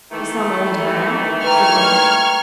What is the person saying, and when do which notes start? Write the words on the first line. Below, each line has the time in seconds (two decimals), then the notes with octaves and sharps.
'To some old hag?' said Ralph.
0.12 D#3 E3 A3
1.43 B4 G5 A#5 C#6 F6 G#6